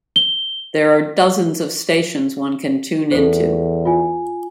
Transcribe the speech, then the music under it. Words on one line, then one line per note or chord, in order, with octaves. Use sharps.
There are dozens of stations one can tune into.
G7
E2 A4 C5
F4 G#5